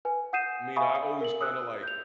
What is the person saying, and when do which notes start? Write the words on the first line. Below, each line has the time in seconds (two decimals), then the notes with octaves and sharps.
I mean, I always kinda, like
0.05 B4 G#5
0.33 F#5 D#6 G6 C7 D#7 E7
0.76 E5 F5 G#5 B5 C#6 D#6
1.21 A#4 F#7
1.41 D#6 E6 F#6
1.83 G6 F7